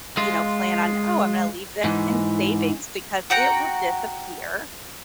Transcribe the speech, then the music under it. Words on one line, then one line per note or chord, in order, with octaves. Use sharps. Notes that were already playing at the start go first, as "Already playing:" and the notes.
you know, plan on: “Oh, I'm gonna leave this in savings because it will disappear
G#3 F4
G#2 E3
F#4 F#5 G5 A#5